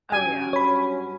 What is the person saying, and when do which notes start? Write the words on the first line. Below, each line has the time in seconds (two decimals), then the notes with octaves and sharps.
Oh, yeah.
0.12 G2 F#3 C#4 F#4 G5 G#5
0.53 C#5 B5